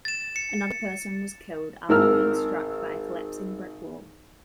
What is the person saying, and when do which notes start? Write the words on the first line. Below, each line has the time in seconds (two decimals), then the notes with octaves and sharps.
Another person was killed after being struck by a collapsing brick wall.
0.05 A6 E7
0.36 C#7
1.89 G#1 A#4 E6 F6